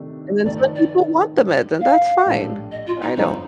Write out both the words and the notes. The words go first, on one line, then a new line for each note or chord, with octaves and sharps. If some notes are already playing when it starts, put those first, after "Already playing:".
And then some people want the meds, and that's fine. I don't.
Already playing: C3 D#3 A3 D4
F1 F2 D#3 A3 D5
D5
G1 G2 D3
F5
A#1 A2 G3 D4 A4
D#5
F4
D#4
G1 F2 D3 F3 C4 D#4